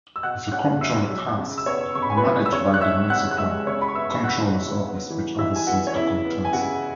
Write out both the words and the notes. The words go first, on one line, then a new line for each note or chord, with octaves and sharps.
The comptroller tasks are managed by the municipal comptroller's office, which oversees accountancy.
E6
B2 F#5 F#6
C#4 F#5 F#6
B2 E5 E6
F#3
C#3
E6
B3 C#5 C#6
C#3 C#6
B5
G#5
B4 B5
F#3
E6
C#3 C#5 C#6
F#6
C#4 E5 E6
C#3 F#5 F#6
F#6
G#3 E5 E6
C#3 C#5 C#6
B5
C#6
B3 E5 E6
C#3 F#5 F#6
F#3
B3
E3
E3 E5 E6
G#5
B3 F#4 F#5
C#5
C#3 E4 E5
B3
G#5
C#3 F#4 F#5